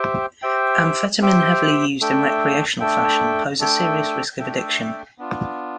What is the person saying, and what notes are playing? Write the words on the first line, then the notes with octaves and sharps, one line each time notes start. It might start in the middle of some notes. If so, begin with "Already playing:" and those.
Amphetamine heavily used in recreational fashion pose a serious risk of addiction.
Already playing: G4 C5 E5 G5
G4 C5 E5 G5
G4 C5 E5 G5
A3 D4 A4 E5 G5
A3 D4 A4 E5 G5
A3 D4 A4 E5 G5
A3 D4 A4 E5 G5
B3 D4 F4